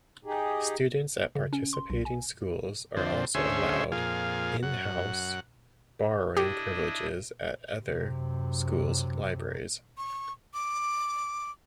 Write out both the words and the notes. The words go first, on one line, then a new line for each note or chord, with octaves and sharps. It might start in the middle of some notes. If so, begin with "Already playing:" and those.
Students at participating schools are also allowed "in-house" borrowing privileges at other schools' libraries.
D#4 G4 G#4
C#3
C#4
C6
B1
G#5
F2 D3 C4
D2 C#4 G#4 C5 E5
F2 A#2 G#4 F5
F#2 F#5
D4 E4 G4 D#5
F#2 C3
C#6
D6